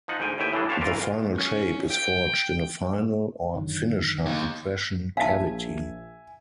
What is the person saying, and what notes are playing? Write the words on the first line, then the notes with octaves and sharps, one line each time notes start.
The final shape is forged in a "final" or "finisher" impression cavity.
F3 D#4 F#5
D2 G#2 G5 G#5
D#2 A2 E5 G5 G#5
A2 E3 F#3 G3 D4
D4 G4 C5 C#5 F5 A5
D2 E3 F4 A#4
C#4
G5
F#2 D3 D#3
D#2
A#1 E5 F5 G#5 A5